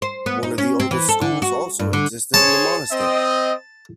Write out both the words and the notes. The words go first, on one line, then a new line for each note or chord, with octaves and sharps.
One of the oldest schools also existed in the monastery.
C5
B3
D#4
C#4
C4
E3
A4
D3
F#4
G2
D3
G#4 C5 C#5 A5
C4 D#5